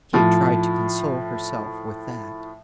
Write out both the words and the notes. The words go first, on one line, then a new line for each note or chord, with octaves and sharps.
Kate tried to console herself with that.
A2 F3